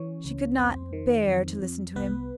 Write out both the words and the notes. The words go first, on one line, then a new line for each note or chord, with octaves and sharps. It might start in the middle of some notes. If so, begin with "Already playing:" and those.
She could not bear to listen to him.
Already playing: E3 C#4 C#5
C#2
F2 C4 C5
D#3
F2
F2
C2 B3 B4